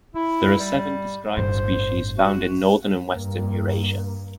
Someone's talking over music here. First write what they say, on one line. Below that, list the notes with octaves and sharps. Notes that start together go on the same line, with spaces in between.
There are seven described species found in northern and western Eurasia.
E4
G3
G1 A2 C5
F#4
G2 A#3